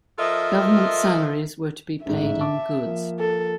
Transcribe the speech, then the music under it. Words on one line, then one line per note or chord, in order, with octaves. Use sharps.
Government salaries were to be paid in goods.
F3 F4 A4 A#4 D#5 E5
A1 G#2 E5
A5 D6
F3 A#3
A4